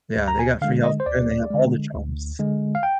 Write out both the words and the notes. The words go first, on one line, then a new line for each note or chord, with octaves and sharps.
Yeah, they got free healthcare, and they have all the jobs.
D2
A#5
G#5
D3 G#3 F5
D#5
C5
D2 D5
D3 G#3
D2
D3 G#3
F5
G5